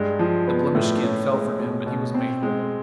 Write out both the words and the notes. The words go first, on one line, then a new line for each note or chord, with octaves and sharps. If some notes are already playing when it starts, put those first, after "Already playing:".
The blemished skin fell from him, and he was made whole.
Already playing: G2 G#3
F3
B3
A2
C#4
G#3
B2
B2
C4
G#3